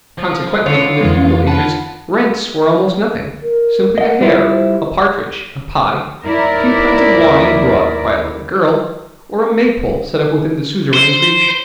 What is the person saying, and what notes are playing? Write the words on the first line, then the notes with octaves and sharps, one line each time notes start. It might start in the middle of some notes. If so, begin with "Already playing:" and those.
Consequently, in the feudal ages, rents were almost nothing,--simply a hare, a partridge, a pie, a few pints of wine brought by a little girl, or a Maypole set up within the suzerain's reach.
F3
D3 B3 F4 C#5
F2 E3 G#3 A#3
F4 B4 F#5 A5
A#4
D#5 F#5
G3 E4 F4
C5
D#2 E4 A#4 D5
C5